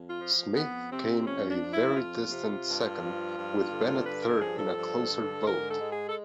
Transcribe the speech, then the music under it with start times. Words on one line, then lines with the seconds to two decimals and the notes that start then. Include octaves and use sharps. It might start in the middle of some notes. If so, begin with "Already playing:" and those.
Smith came a very distant second with Bennett third in a closer vote.
Already playing: F2
0.09 F4
0.21 F3
0.56 F2 B3
0.92 C3 C4
1.26 F2 C#4
1.50 D4
1.61 F3
1.73 E4
1.96 F2 F4
2.31 C3
2.67 G2
3.01 F3
3.37 G2
3.71 D3
4.06 G2 B4
4.23 A#4
4.41 F3 G#4
4.59 A4
4.76 G2
5.11 D3
5.46 G#2 A#4
5.70 A4
5.81 G#3
5.93 G#4
6.09 A4